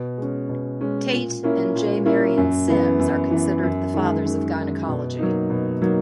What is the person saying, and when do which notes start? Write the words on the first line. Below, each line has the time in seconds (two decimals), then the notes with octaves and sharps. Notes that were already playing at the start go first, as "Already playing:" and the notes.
Tait and J. Marion Sims are considered the fathers of gynecology.
Already playing: B2
0.18 G#3 C#4
0.49 B2
0.81 G#3 C#4
1.13 A#2
1.43 A#3 C#4 E4
1.75 A#2
2.06 A#3 C#4 E4
2.37 F#2
2.68 E3 B3
2.99 F#2
3.31 E3 B3
3.63 F#2
3.94 D#3 G#3
4.26 F#2
4.57 D#3 G#3
4.87 B2
5.18 F#3 A#3 D#4
5.50 B2
5.82 F#3 A#3 D#4